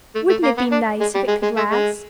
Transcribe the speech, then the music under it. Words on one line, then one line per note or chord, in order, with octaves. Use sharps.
Wouldn't it be nice if it could last?
A3
A3
A#3
B3
D4
G#3
G3
G#3
G#3
A3
G#3